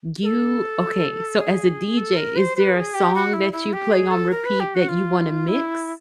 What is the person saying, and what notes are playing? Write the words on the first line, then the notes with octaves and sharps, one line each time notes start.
You okay, so as a DJ, is there a song that you play on repeat that you wanna mix?
A#4
A4
G#4
A4
A#4
C5
C5
B4
G#4
G4
F#4
E4
E4
G4
G#4
A4
A#4
B4
G4
F#4
F4
E4